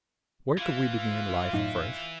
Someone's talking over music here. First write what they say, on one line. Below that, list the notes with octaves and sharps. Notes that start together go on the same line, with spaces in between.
Where could we begin life afresh?
E3 F4
F#2 A2 D#4